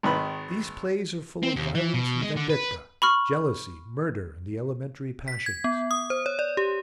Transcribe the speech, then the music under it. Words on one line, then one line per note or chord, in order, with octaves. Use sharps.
These plays are full of violence and vendetta, jealousy, murder and the elementary passions.
G#1 D#3 B4 B5
C4
D#2
E3
B2
G#3
D3
B4
B5 C#6 F6
B6
G#6
B3
D#6
C5
C#5
D5
G4